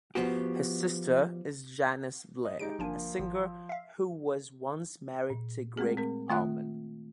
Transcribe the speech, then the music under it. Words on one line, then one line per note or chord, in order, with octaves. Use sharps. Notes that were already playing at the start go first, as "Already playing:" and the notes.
His sister is Janice Blair, a singer who was once married to Gregg Allman.
F3 B3 F#4 G4
D#5
G#3 D#4 G4 D7
G1 F3 A#3 D4 G#5
G#1 F3
E5 F5
A#2
G#3 A3 C4 G#4
C4 A#4
D#3 A3 F4 E5 F#6